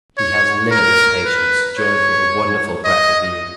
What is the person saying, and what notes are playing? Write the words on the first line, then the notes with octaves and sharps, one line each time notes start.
He has limitless patience, joined with a wonderful breadth of view.
C#5
A#4
B4
C#5
D#5